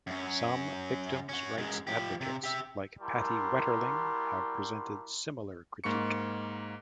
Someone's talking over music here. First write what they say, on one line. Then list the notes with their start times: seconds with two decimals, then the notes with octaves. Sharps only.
Some victims' rights advocates like Patty Wetterling have presented similar critique.
0.07 F#2 C#4
1.29 C#4 F#4
1.57 F#2 G#3
1.87 F3 G4
2.21 C3
2.44 G4 E5
3.00 G3 E4 F#4 A#4 A5 C6
5.84 G#2 A#3 C#6 C#7